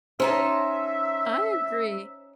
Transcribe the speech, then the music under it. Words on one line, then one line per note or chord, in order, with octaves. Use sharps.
I agree.
C#4 D#4 C5 E5 A5